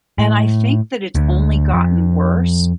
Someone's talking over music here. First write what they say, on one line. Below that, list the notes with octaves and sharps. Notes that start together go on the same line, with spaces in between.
And I think that it's only gotten worse
A2
D2
F2